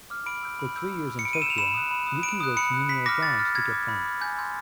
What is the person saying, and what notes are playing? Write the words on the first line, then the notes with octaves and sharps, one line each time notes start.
For three years in Tokyo, Yukie works menial jobs to get by.
D6 F6
B5 D7
E6 G6
B5
E6 G6
B5
E6 G6
C#7
B5 D7
D#7
E6 G6 E7 F7
B5 E7
D#6 F#6
B5
D#6 F#6
B5 D7
D#6 F#6
B5 C#7
D#6 F#6
B5 B6
D6 F6 A#6
B5 A6
D6 F6
B5 G#6
D6 F6
B5
D6 F6
G#5 G6
C6 E6 G6